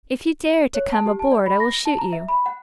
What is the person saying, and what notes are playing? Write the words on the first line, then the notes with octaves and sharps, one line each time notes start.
If you dare to come aboard I will shoot you.
C#5
A5
G4
A5
D5
B5
A#6
A5
A#5
E5
B5
F#5